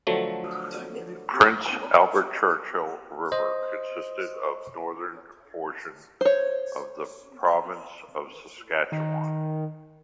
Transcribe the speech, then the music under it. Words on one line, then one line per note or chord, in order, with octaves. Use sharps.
Prince Albert-Churchill River consisted of the northern portion of the Province of Saskatchewan.
D3 F3 F#3 A3
C5 D#5
C5 C#5
D#3